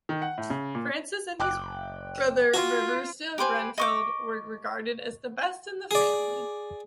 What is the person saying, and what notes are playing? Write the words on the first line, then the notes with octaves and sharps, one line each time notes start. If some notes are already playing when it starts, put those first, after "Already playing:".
Francis and his brother, Riversdale Grenfell, were regarded as the best in the family.
D#3
F#5
A2
C#3
A#2
F#1 G5 D6 F#6
F4 F#4
G4 B4 C5 G#5
D#5 C#6 D6
G#4 D5